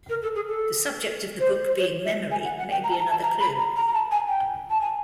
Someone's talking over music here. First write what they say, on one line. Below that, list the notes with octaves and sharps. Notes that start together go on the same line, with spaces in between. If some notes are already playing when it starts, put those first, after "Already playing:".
The subject of the book being memory may be another clue.
A#4
A4
G#4
A4
C5
C5
C#5
E5
G#5
F#5
F#5
G5
A#5
A5
A#5
A5
A#5
B5
A#5
A#5
A#5
A5
G#5
G5
A5
G#5